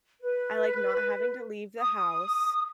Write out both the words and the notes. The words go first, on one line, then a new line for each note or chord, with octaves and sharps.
I like not having to leave the house,
B4
D#6